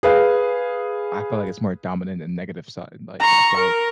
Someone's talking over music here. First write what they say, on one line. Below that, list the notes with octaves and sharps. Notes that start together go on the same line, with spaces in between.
I feel, like, it's more dominant than negative side, like, I feel like
G#4 B4 F5
A#5 C#6
A#4